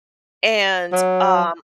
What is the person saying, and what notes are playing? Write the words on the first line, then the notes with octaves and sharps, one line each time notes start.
and, um
F#3